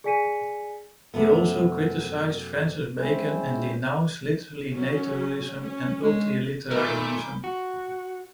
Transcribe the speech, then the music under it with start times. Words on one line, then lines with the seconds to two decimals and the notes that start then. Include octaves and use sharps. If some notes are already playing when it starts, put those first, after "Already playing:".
He also criticized Francis Bacon and denounced literary naturalism and utilitarianism.
0.04 G#4 D5 G#5 B6 C#7 D#7
1.14 F#2 C3 A3 B3
2.98 G#3 C4 C#4 E4 C5
4.77 F#3 C#4
5.63 C#4
6.03 G#3
6.71 A#2 D#3 A3 A#4 B5 D6 G6
7.44 F#4